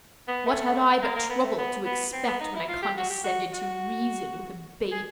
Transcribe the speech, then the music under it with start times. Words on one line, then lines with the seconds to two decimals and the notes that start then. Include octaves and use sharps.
'What had I but trouble to expect, when I condescended to reason with a baby!
0.28 B3
0.46 A3
1.02 A#3
1.16 A#3
1.30 B3
1.44 A3
1.58 B3
1.86 B3
2.13 C4
2.27 B3
2.41 D#4
2.55 E4
2.68 F4
2.82 G4
2.97 F#4
3.10 G4
3.24 F#4
3.53 F#4
4.92 G#4